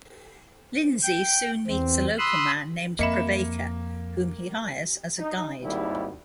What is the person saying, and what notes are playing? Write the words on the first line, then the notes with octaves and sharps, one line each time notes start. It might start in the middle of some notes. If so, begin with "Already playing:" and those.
Lindsay soon meets a local man named Prabaker whom he hires as a guide.
G5
E2 C4
B5 C6 D#6 E6 F#6
F2 A#3 D#5 E5 B5 C#7 E7
D#4
G#1 D#2 G#2 G3 E4